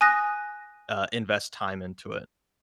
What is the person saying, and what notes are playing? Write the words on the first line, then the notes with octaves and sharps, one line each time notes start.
uh, invest time into it.
G#5 D#6 F#6 A#6